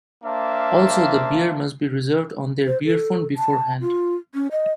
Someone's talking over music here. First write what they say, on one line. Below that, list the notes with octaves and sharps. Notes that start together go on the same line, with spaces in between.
Also, the beer must be reserved on their "beerphone" beforehand.
A#3 D4 C5 E5 F5 A5
C5
A4
A5
F4
C#4
D#5